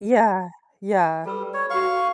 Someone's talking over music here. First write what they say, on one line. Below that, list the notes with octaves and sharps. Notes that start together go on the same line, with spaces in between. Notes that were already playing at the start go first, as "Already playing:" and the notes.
Yeah, yeah.
G3 A4 B4 E6
C#5
F#4 F5 F#5 B5 C#6